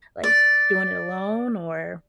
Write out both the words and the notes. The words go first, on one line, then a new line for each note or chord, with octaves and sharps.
like, doing it alone? Or
D5